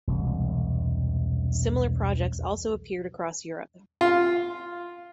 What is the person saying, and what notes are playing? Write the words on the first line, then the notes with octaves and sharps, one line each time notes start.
Similar projects also appeared across Europe.
E1 C2
F4